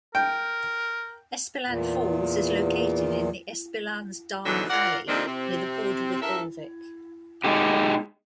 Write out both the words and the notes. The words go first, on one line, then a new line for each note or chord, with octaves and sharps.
Espeland Falls is located in the Espelandsdalen valley near the border with Ulvik.
A#4 G5
E2 A#2
E2 G#2 B2 D3 E3 F#3
F4 A#4 D5 F#5
F2 C3 D#3 F3 A#3 D4
C3 C4
G2 A4 A#4 E5
B2 G#3 D#4 G4